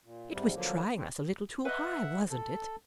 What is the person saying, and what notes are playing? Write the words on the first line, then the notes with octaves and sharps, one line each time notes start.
It was trying us a little too high, wasn't it?
A#2
G#2 C3 G3
D3 F3 F#3 A#3
C4
B4 D#5 E5 F#5
A4